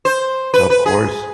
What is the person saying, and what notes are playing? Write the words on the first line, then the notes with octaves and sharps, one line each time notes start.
Of course.
C5
B4
B4
G#4